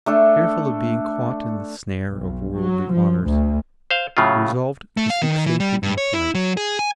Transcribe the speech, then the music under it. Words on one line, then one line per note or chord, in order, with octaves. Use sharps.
Fearful of being caught in the snare of worldly honors, he resolved to seek safety in flight.
A3 D4 A4
B1
F#3
F3
D2
C5 F5
A2 C#3 F#3 F4
A3
F5
D#3
E3
G3
G2
C#5
E4
F#3
G#4
G#5